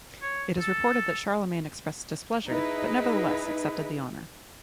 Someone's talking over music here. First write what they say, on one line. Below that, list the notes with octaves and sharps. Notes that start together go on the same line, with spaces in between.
It is reported that Charlemagne expressed displeasure but nevertheless accepted the honour.
C#5
A4
D#4 E4 G#4 B4